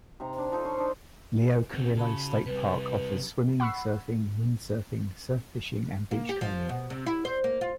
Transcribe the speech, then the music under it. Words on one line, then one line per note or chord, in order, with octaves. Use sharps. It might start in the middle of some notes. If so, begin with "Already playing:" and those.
Leo Carrillo State Park offers swimming, surfing, windsurfing, surf fishing, and beachcombing.
C3 D#4 A#5
D4
F3 D#4 A4
F4 C5 C#5
D4 D#4
C4 F#4
C#3 F#4 A5 B5
C3 G3 B4
F#5 B5 C#6 E6 C7
A#3
G4
F3
B2
C3
E4
C5
A#3
F4